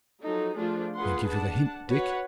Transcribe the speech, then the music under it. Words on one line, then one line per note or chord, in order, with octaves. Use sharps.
Thank you for the hint, Dick.'
F3 F#3 D#4 A4
F3 A3 D4 F4 G#4
F4 G#4 B4 F#5 C6
D4 F#5 A5
F#4 B4 C#5 F#5